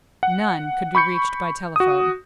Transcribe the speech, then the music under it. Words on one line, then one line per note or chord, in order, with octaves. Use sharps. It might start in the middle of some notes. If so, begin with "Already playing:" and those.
None could be reached by telephone.
F#5
B5 C#6 G6 C#7
F#4 D#6